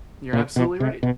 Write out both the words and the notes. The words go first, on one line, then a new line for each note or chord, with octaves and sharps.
You're absolutely right,
A#2
B2
C3
B2